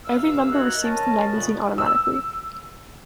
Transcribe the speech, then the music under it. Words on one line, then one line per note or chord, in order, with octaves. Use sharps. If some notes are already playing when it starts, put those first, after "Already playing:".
Every member receives the magazine automatically.
G2 C3 E5 F5 E6
D#4 F#4 A#4 C#5 E5 F#5
C#4 A#4 D#5 A5
F#2 A#2 C#3 B3
E6